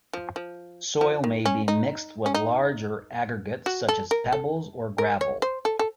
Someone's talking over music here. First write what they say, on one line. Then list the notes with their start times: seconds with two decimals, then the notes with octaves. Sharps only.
Soil may be mixed with larger aggregate, such as pebbles or gravel.
0.13 F3
0.36 F3
1.01 F3
1.24 D#3
1.46 C#4
1.68 D#4
2.26 C#4
2.34 D#4
3.66 F#4
3.89 A4
4.11 A#4
4.32 A4
4.98 A#4
5.21 C#5
5.42 C5
5.65 A4
5.79 A4